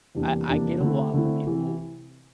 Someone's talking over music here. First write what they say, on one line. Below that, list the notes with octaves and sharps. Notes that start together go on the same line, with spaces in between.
I I get along with people
E2 C3 G3 A#3 D4
E2 C3 G3 A#3 D4
D3 A3 C4 E4
D3 A3 C4 E4
C3 E3